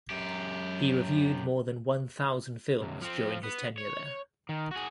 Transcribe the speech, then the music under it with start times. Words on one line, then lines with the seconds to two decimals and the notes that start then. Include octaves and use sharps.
He reviewed more than one thousand films during his tenure there.
0.10 F#2 G4
2.81 B1 F#2
3.02 F3 C4
3.44 B3
3.78 C#5
4.49 D#3
4.71 F#4 G#4